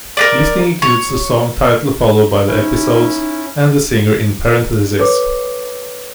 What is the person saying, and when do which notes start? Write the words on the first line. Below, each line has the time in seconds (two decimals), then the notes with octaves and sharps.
Listing includes the song title followed by the episodes and the singer in parentheses.
0.17 A#4 B4 D5
0.82 C#5
2.47 C#4 D#4 E4
4.99 A4 B4 C#5 D6